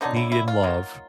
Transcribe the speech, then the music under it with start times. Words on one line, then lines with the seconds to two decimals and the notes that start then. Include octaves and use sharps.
need, and love,
0.01 D3 F#3 B3 D4 D#4
0.16 E4
0.32 E4
0.48 F4
0.63 F#3 A#3 D#4